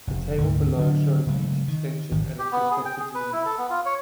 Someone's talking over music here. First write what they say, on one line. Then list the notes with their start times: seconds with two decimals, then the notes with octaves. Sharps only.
The table below shows each extension and its respective meaning.
0.07 F1
0.38 D2 G#2 C3
0.77 D3 F#3 D4
1.27 C#3 F#3 G#3 A3
1.68 D#3
2.11 G#1 D#3 F3
2.39 G4
2.52 B3
2.71 G#4
2.85 G5
2.99 G#4
3.15 B4
3.32 E4
3.46 A4
3.58 B3
3.70 F4
3.85 C#5